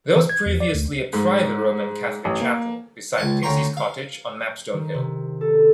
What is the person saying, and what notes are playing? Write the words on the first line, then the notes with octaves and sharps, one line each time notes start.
There was previously a private Roman Catholic chapel, beside Pixies Cottage on Mapstone Hill.
E3
G#6
E2
D5
D2
G#2
A1
A#3
C#2 G#5 A5
D2 C#4 G5 A#5 C6
F5
D#3
C3
A4